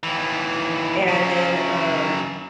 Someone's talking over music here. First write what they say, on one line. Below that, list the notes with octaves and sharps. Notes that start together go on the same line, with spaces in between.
and then, um,
D#2 E3
C#3 F#3